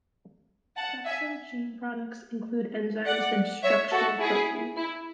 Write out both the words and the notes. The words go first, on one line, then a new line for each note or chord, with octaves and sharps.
Structural gene products include enzymes and structural proteins.
F#5 A5
E5 G#5
D5 F#5
C#5 E5
F#4 A4
E4 G#4
E4